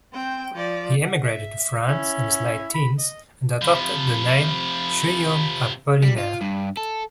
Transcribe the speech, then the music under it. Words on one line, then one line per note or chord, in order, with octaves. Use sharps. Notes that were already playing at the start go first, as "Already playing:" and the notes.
He emigrated to France in his late teens and adopted the name Guillaume Apollinaire.
C4 G5
F3 D5
F#5
E5
C#4 E4
B5
D#5
C3 F3 B5
G3
F4
G2
A4